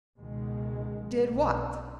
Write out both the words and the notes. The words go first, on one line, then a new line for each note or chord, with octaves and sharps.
"Did what?"
C#2 B2 D#3 G#3
B1